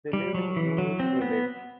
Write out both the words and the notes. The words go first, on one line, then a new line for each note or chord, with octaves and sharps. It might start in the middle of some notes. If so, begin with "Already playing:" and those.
They live in Greenwich Village.
G3
F#3
E3
F#3
C4
B3